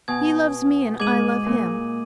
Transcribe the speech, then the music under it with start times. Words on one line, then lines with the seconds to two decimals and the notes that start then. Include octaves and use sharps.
He loves me and I love him.
0.08 B2 G#5 D#6 G#6
1.00 G#2 D6 G#6 D#7 F#7
1.46 A#2